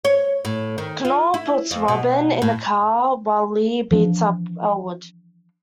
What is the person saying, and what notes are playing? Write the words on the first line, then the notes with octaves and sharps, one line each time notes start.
Knoll puts Robyn in a car while Lee beats up Elwood.
C#5
A2
D#3
F4
E4
F2
B2
A2
E3 F3 A#3 D4